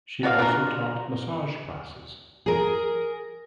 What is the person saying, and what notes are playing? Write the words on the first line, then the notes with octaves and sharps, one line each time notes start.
She also taught massage classes.
B3 F#4 D5 F5
D4 F4 F#4 A#4
G#4 A#4